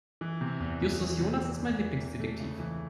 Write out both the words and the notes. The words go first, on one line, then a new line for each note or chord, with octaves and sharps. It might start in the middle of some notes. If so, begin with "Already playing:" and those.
Justus Jonas ist mein Lieblingsdetektiv.
E3
C3
E2
E2
E3
C3
E2
E2
E3
C3
A3
C#2
E3